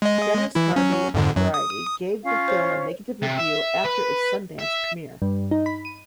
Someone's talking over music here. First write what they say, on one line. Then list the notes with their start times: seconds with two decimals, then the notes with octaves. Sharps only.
Dennis Harvey of "Variety" gave the film a negative review after its Sundance premiere.
0.02 G#3 D#5
0.55 E3 E4
0.76 F#3 C#4
1.14 F2 G#2 D3
1.36 F#2 F#3
1.54 D#6
2.22 C#4 F4 F5
2.48 C5 C#5
3.22 C3
3.38 E5
3.84 B4
4.59 E5
5.22 G2
5.51 D#4
5.66 B5
5.85 D#7